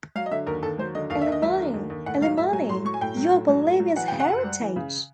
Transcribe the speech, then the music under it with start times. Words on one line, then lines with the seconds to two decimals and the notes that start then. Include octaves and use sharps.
Illimani, Illimani, you are Bolivia's heritage!
0.15 F#3 F5
0.26 D#5
0.31 D3 E5
0.47 D#2 A#4
0.63 D#2 A4
0.78 F#3 C5
0.95 D3 D#5
1.10 D#2 F5
1.21 D#2 E5
1.32 D#5
1.42 F#3 E5
1.58 D3
1.74 D#2
1.90 D#2
2.06 A2 F#5
2.21 F#3 F5
2.37 A2 E5
2.53 F#3 G#5
2.69 A2 C6
2.85 F#3 C#6
2.94 G#5
3.01 A2 G5
3.17 F#3
3.33 A2
3.49 F#3
3.65 A2
3.80 F#3
3.96 E3 F#5
4.08 C#3 G5
4.20 F#5
4.28 F#2
4.44 G3
4.60 E3
4.76 C#3